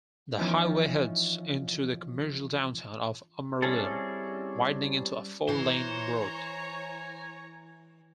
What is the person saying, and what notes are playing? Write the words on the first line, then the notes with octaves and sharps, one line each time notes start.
The highway heads into the commercial downtown of Amarillo, widening into a four-lane road.
E3 F3 B3 C#4 D#4 E4
G3 C4 C#4 E4 G#4 A4
E3 C5 C#5 G#5 A#5